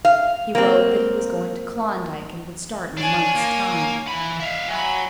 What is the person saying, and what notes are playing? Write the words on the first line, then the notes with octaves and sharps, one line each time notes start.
He wrote that he was going to Klondike and would start in a month's time.
F5
A#3 C4
D4 C#5 G#5
A#3
E3 B5
E5 F5
F#3 G#5 B5